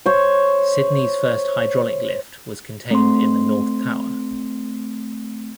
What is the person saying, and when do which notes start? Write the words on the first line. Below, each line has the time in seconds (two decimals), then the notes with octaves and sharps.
Sydney's first hydraulic lift was contained in the north tower.
0.06 C5 C#5
2.91 A3 C4 C6